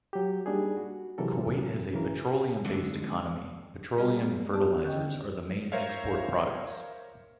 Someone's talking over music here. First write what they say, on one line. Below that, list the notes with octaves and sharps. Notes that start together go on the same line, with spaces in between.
Kuwait has a petroleum-based economy, petroleum and fertilizers are the main export products.
F#3 G4
G3 A#3 D4 D#4 G#4
F#4
C3 E3 F#3 G#3 A4 A#4
C#3 E3 A#4
F2 G#2 D3
G3 B3 G#4 D#5 F6
E2 G4 D5 A5
D3 D#3 C#4 D#5 G5
A#4 C5 C#5 E5 F5